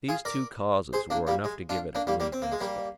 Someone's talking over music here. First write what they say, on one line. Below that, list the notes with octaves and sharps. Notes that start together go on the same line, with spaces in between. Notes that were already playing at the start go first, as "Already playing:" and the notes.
These two causes were enough to give it a gloomy aspect.
F4 G#4
A#4 D5
G#4 C5
A#3 D4
G3 A#3
G#3
D4 F4
A#3 D4
G3 A#3
G3 A#3
C4
A#3
G#3
G3 A#3